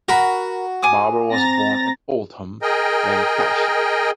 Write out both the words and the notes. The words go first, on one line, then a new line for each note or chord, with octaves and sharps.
Barber was born in Oldham, Lancashire.
F#4 A#4 B5
G#5 D6 D#6
C4 A#5 A6 A#6
G#4 A#4 D#5 G5